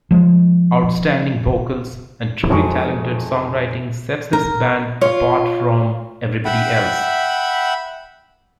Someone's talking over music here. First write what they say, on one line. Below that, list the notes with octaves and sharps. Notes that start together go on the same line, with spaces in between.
Outstanding vocals and truly talented songwriting sets this band apart from everybody else.
F3 G#3
F1 F2 F#3 G#3 D#4 C#6
A#4
F4 C#5
E5 F#5 G5 B5